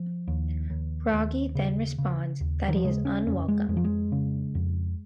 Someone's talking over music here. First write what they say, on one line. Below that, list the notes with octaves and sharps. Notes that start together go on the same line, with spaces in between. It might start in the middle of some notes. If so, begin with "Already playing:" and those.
Bragi then responds that he is unwelcome.
Already playing: F3
D#2
D#2
D#2
C#3
C#3
D#2
D#3
F3
C#3 G#3
C#4
F2 C#4
G#3
F2 G#3
F3
G#3
C#3
F2